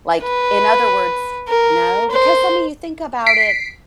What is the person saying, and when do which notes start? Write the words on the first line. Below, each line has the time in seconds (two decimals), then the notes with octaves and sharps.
like, in other words No? 'cause, I mean, you think about it,
0.23 B4
1.48 A#4
2.11 C5
3.26 B6 C7 D7